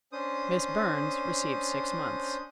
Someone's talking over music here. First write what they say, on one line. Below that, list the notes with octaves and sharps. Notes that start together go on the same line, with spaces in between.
Miss Burns received six months.
C#4 D4 C5 D#6